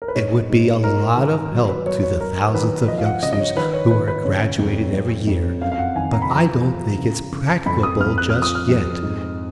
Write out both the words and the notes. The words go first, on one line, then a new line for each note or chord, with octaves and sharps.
It would be a lot of help to the thousands of youngsters who are graduated every year--but I don't think it's practicable just yet.
A#4
B4
G#2 C#5
G#2
G#2 A#4
D#3
F#3
B4
F#3 C#5
C#5
F#3 A#4
D#3 B4
F3 D#5
F5
F#5
C#3 D#5
D#5
C#5
D#3 B4
C#5
D#3 B4
B4
C#3 C#5
F2
F2
F2
F#2 F5
F5
F#5
D#3 G#5
A#5
B5
F3 A#5
F3
C#3
C#3
F2 B5
D#6
F2 F6
F#6
F3 F6
D#6
F6
F2
G#2